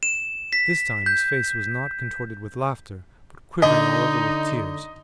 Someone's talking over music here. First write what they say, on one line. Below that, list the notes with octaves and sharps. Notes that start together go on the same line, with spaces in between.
This time his face was not contorted with laughter, but quivering all over with tears.
E7
B6
G6
D3 D#4 D#5